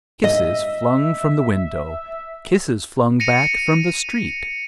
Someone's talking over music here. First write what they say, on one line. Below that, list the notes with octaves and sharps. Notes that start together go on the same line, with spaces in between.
Kisses flung from the window; kisses flung back from the street.
D#5 E5
A#6 C#7 D#7 F7